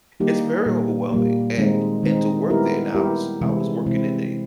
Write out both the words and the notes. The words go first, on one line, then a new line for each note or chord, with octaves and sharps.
It's very overwhelming, and and to work there now I was I was working in a
D#3 G3 A#3 D#4 G4
A#2 G3 A#3
A#2 G3 A#3
D#3 G#3 C4 D#4
D#3 G#3 C4 D#4
G3 B3 E4 G4 A#4
G3 B3 E4 G4 A#4
C3 E3 G#3 C4 E4
C3 E3 G#3 C4 E4